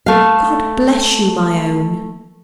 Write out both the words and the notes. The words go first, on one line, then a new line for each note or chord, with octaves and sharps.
"God bless you, my own!"
A3 F5